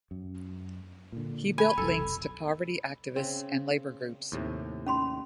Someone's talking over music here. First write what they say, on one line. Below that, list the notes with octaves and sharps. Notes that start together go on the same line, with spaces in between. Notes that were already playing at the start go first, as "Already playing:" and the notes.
He built links to poverty activists and labour groups.
F#2
A#2 D3
G#5 B5
F1 B1 A4
C#3 C4
D#2 A2 C3
C#4 B5 C6